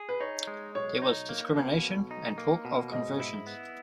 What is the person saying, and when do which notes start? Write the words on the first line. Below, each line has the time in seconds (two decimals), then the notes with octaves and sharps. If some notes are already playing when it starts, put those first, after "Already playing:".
There was discrimination and talk of conversions.
Already playing: G#4
0.09 B4
0.20 D#4 C#5
0.47 G#3
0.75 B1 C#5
1.02 D#4
1.29 A#3
1.56 B2
1.84 B1
2.11 D#4
2.38 A#3
2.65 B2
2.92 G#2 D#5
3.20 E4
3.47 B3